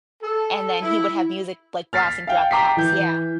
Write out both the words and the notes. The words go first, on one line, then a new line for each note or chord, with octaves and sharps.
and then he would have music, like, blasting throughout the house, yeah.
A4
E4
F6 A6 B6 C7
F5 G5
G5 A#5 D6 B6 C7
E3 G6